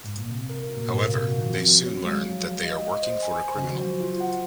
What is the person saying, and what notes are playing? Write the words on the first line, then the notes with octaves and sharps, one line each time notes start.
However, they soon learn that they are working for a criminal.
G#2
A#2
C3 F5
A#4
F#4
A#2
G#2 A#4
C3 F5
A#2
F#4
D#3
F3 C4
F#4
C#5
F#3
G#3 F5
F#4
F5
D#5
D#5
C5
G#5
C5
C#3
D#3 F#4
F3
F#3 C5
F4
F#5